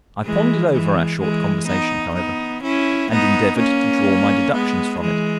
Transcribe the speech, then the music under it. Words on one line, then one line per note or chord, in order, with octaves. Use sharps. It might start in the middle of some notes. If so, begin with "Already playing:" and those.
I pondered over our short conversation, however, and endeavoured to draw my deductions from it.
E3 G#3
E3 G#3
E3 G#3
B3 D#4
B3 D#4
C#4 E4
B3 D#4
A#3 C#4
G#3 B3
E3 G#3